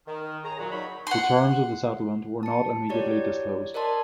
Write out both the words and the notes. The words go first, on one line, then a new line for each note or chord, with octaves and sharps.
The terms of the settlement were not immediately disclosed.
D#3
G#4 C#5 A#5
A#2 F#3
F#3 D#4 C#5 B5
F#5 C6
A5 C#7
E4 F#4 G4 C#5 D5
A#4 C5 D5 D#5 A5 C6